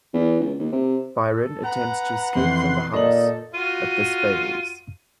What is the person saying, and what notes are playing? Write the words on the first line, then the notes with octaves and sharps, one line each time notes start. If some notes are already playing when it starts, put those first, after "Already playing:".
Byron attempts to escape from the house, but this fails.
E2
C#2
D#2
C3
A4
B4 F#5 A#5
F2 E3 C6
A#2 D4 D#4 A4 D#5 F#7
F4 F#4 D#7